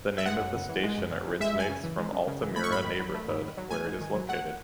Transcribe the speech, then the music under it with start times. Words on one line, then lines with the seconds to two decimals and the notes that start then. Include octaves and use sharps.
The name of the station originates from Altamira neighbourhood where it is located.
0.18 E5
0.26 G#3 F#5
0.40 F#2
0.55 C#3
0.69 E3
0.83 G#3
0.98 F#2
1.11 C#3
1.27 E3
1.40 G#3 E5
1.55 F#2 G#5
1.69 C#3
1.83 E3
1.98 G#3
2.12 F#2
2.27 C#3
2.42 E3
2.56 A3 B5
2.64 C#6
2.70 G#2 B5
2.84 D#3
2.99 F#3
3.14 A3
3.28 G#2
3.42 D#3
3.57 F#3
3.71 A3 G#5
3.86 G#2
4.00 D#3
4.14 F#3
4.29 A3 F#5